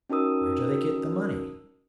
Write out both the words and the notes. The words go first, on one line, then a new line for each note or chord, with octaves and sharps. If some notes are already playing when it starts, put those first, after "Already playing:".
"Where do they get the money?"
C#4 D#4 F#4 A#4 D#6 E6